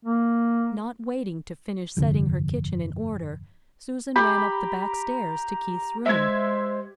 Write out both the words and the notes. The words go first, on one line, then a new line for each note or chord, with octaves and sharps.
Not waiting to finish setting her kitchen in order, Susan ran up the back stairs to Keith's room.
A#3
G1 C2 F2 D3
G4 A#5 B5
G#3 C5 E5 G#6